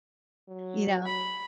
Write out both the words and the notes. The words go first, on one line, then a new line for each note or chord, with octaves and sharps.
You know?
F#3
B5